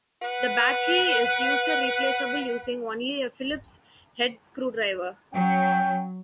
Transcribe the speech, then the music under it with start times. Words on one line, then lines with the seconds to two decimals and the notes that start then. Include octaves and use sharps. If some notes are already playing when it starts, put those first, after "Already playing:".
The battery is user-replaceable using only a Phillips-head screwdriver.
0.22 B4 F#5
5.34 F#3 C#4 G5